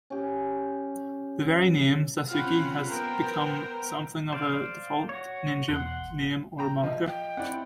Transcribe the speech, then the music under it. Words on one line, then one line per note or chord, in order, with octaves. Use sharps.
The very name Sasuke has become something of a default ninja name or moniker.
C#4 G4
C4 C#4 F4 F5 F#5 B5
B3 A#4 C5 G5 A#5
C5 D5 F5
F#4 C#5
E2 B2 F#5 C6
G#1
G5 A#5
F3 D#5
G5
C4 E4 D5 F#5